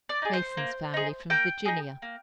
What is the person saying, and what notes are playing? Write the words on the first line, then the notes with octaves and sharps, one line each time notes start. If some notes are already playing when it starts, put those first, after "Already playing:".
Mason's family, from Virginia.
D5
D#4 G#4
C5
A#3
D#4 G#4
A#3 G5
D#4 G#4
A#3